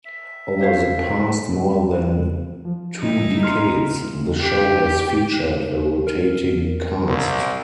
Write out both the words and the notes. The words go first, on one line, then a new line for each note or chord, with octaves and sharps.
Over the past more than two decades, this show has featured a rotating cast.
E5
C5 C#5 F5
F3
D#4 E4
A#5 C6 F6
G4
A#4
C2